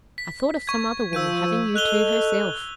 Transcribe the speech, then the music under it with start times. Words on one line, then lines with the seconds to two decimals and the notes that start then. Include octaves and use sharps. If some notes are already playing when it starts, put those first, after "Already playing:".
I thought of some other woman having you to herself.
0.18 B6
0.67 C#6 G#6
1.13 F3 E6 G6 D#7
1.76 A4 D#5 F#6 F7 G7
2.13 G7